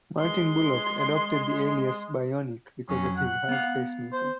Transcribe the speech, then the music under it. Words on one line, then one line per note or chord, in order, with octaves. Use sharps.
Martin Bulloch adopted the alias bionic because of his heart pacemaker.
G#3 C6
F2 F#3 C#4
F#5
B3 F5
C5